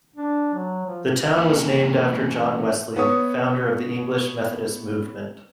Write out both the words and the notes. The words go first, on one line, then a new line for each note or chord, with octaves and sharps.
The town was named after John Wesley, founder of the English Methodist movement.
D4
F#3
F3
E3 A#3 C#4 G4 G#4
B3 C#5 D#6